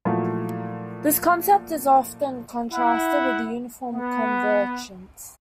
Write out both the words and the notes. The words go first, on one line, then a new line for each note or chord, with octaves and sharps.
This concept is often contrasted with uniform convergence.
A#2 F3 F#3 A3 E4
E4 F#5
B3